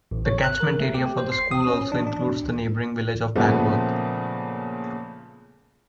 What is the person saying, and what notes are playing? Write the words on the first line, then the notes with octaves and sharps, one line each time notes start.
The catchment area for the school also includes the neighbouring village of Bagworth.
A1
C#5
F#6
A#4
A3
G4
C5
C7
D#6
C#4
D4
D4
A#2 C#3 F3 A3 B3